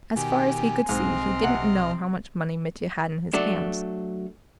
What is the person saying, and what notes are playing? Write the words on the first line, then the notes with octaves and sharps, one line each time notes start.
As far as he could see he "didn't know" how much money Mitya had in his hands.
B2 D#3 G4 G#5
B1 G#2 C4 D#5 F6
C3 F#5
F#3 A3 D4